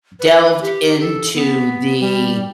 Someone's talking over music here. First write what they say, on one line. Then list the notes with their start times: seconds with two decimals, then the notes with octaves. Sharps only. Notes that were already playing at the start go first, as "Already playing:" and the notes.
delved into the
0.20 B4
0.62 G4
1.01 A4
1.34 B3
2.01 G3